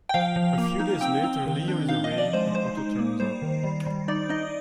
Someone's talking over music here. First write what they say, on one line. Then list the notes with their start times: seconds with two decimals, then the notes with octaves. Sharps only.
A few days later, Leo is away, and Otto turns up.
0.09 G5
0.14 F3 F5
0.36 F3
0.58 A#3
0.79 D#4
1.01 C4 G5
1.23 C4
1.46 D#3
1.68 D4
1.89 D#4 F5
2.04 D#5
2.11 F3
2.18 D5
2.33 G#3 C5
2.55 G#3 C5
2.77 D#4
2.99 A#3
3.20 G3 C5
3.42 D#3
3.63 G3
3.86 G3
4.08 D#4 D5
4.29 D#4 D#5